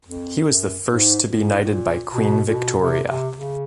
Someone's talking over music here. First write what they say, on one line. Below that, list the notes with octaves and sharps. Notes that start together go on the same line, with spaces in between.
He was the first to be knighted by Queen Victoria.
F2
F#2
G#2
A2
A2
A#2
B2
A#2
B2
C3
C3
C#3